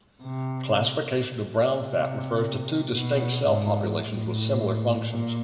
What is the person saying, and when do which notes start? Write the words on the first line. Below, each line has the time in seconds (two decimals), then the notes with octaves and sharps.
Classification of brown fat refers to two distinct cell populations with similar functions.
0.23 C3
1.86 C3
2.93 B2
3.48 G#2
4.03 A2
5.10 A#2